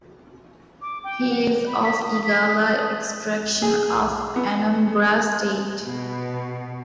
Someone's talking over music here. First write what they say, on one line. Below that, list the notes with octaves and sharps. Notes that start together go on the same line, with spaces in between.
He is of Igala extraction of Anambra State.
D6
G5
F#5
B5
B6
D#6
B6
D#6
G#4
B3
B2